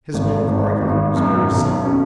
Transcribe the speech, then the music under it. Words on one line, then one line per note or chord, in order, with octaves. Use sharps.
His mode of argument was very summary.
G#1
G#1
G#1
F#2
B1
C#4